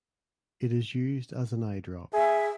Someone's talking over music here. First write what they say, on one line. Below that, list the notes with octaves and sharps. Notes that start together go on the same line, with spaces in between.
It is used as an eye drop.
G#4 E5